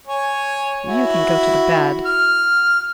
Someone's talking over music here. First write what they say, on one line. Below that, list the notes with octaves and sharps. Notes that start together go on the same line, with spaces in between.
You can go to the bad.
C#5 G#5
E4 F#4
F6